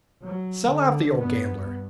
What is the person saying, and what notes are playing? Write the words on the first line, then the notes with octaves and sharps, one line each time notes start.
'Sell out the old gambler!
F#3
D3
G2 B3